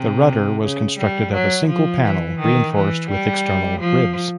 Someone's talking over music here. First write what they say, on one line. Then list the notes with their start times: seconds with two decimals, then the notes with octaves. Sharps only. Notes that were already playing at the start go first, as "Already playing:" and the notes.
The rudder was constructed of a single panel reinforced with external ribs.
Already playing: C3
0.63 C#3
0.98 G3
1.33 F#3
1.68 F3
2.03 E3
2.40 D#3
2.75 E3
3.11 G3
3.80 F3